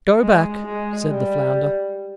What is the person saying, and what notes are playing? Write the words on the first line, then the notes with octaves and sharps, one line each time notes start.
"Go back," said the flounder.
G#3
G#3
G3